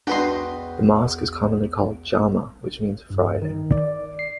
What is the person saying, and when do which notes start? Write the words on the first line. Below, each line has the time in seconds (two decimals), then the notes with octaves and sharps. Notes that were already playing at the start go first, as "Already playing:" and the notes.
The mosque is commonly called "Jama" which means Friday.
0.07 E2 D4 F#4 B4 D#5 G5 C6 F#6
3.10 G2
3.42 D#3
3.72 D5
4.19 C7